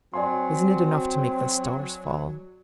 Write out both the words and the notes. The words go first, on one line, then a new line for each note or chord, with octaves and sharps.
Isn't it enough to make the stars fall!
F#3 C4 D5 G#5 C6